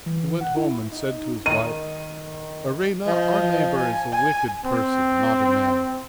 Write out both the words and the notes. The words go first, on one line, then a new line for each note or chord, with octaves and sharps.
He went home and said to his wife: "Arina, our neighbour is a wicked person, not a man."
E3
F#5
E4
D#4
D#3 D#7
F3 D#5
G#5
G#5
C4